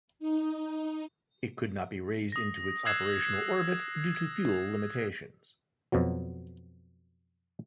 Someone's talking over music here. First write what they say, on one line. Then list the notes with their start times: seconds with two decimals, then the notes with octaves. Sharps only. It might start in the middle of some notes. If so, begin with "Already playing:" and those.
It could not be raised into its operational orbit due to fuel limitations.
0.19 D#4
2.32 D#6 A#6
2.85 D#6 E6 F#6 G#6 C7 E7
4.15 G#6
5.92 F2 B2 F3 F#3